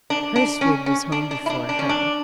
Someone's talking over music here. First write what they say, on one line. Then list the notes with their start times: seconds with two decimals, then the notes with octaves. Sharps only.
Hurstwood was home before her.
0.10 D4
0.36 D4
0.61 C#4
0.86 C#4
1.12 D4
1.31 D4
1.46 E4
1.50 D4
1.69 D4
1.79 C#4
1.89 D4